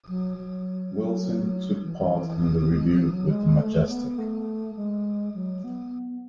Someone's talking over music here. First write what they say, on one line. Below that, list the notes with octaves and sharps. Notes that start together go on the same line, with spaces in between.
Wilson took part in the review with the "Majestic".
F#3
F#3
F#3
E3
E3
G#3
F#3
E3
F#3
G#3
A3
B3
A3
G#3
F#3
B3